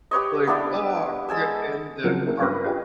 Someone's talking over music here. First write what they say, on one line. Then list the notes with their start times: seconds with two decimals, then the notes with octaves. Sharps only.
like, "Oh, get in that carpet."
0.11 G4 B4 C#5 D#5
0.47 B3 D4 E4 G4
1.29 G#3 A4 G#5 E6
2.04 C#3 F3 F#3 A#3 C4
2.26 A#3 C#4 E4 G#4
2.41 G2 C#4 A#4 B4 B5 A#6
2.65 F4 G4 G#4 B4 D#5 G5